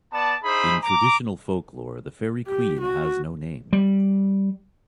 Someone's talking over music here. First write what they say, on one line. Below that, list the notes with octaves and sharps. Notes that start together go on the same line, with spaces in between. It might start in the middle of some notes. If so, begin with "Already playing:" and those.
In traditional folklore, the fairy queen has no name.
B3 D5 A5
D#4 E4 G#4 C5 B5
A#5 D6
G4
F#4
G3